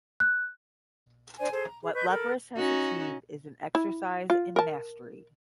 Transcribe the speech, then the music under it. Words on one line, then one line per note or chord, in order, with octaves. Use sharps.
What Leprous has achieved is an exercise in mastery.
F#6
D4 C5 D5 G#5
G#4 A4 C5
A#5
G#4
B4 D#5 C#6 G6
A4 A#4 B5
C#4 D#4 F#4
E4
F4
A#4 A5